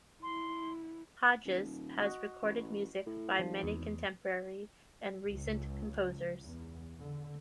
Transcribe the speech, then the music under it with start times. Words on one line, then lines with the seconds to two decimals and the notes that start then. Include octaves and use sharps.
Hodges has recorded music by many contemporary and recent composers.
0.23 E4 C6
1.45 D#1
1.98 F#4 D#5
2.42 A1
3.06 A2
3.39 G#1 F3
3.63 E2
5.26 C#2
6.42 E2
6.99 D3